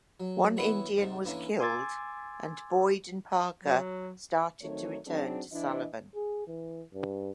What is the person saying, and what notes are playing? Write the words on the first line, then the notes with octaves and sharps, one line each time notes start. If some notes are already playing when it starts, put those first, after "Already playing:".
One Indian was killed, and Boyd and Parker started to return to Sullivan.
F#3
E3 B3 E4 F#4 C#5
G#2 C3
D3 E3 A#3 C#4 E4
G#5 C6 D6 E6 G#6 A6
F#3
D#3 F#3 A3 C4 D#4 C#5
F#3 C4 D4 D#4 F#4 G#4
E3 D4 E4 D#5
G#4
E3
G2